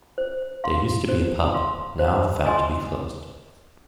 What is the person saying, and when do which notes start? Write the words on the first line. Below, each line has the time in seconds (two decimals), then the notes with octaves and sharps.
There used to be a pub, now found to be closed.
0.18 C5
0.64 F5 C6
1.09 C5
1.54 F5 C6
1.99 C5
2.46 D#5 G#5 C6